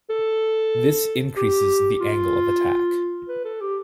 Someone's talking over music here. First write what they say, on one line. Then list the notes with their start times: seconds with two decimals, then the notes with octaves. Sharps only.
This increases the angle of attack.
0.10 A4
1.36 G4
2.00 F4
3.28 B4
3.45 A4
3.61 G4